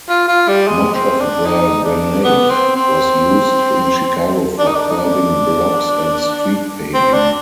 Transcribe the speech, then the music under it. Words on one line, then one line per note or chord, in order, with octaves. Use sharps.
Much of their granite was used in Chicago for curbing blocks and street paving.
F4
F4
G3
G#3
C4
D4
D#4
D4
B3
C4
C4
D4
D#4
D4
D#4
D4
C4
D4